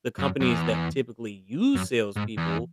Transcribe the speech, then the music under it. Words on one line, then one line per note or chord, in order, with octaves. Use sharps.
the companies that typically use salespeople
F#2
F#2
E2
F#2
G#2
E2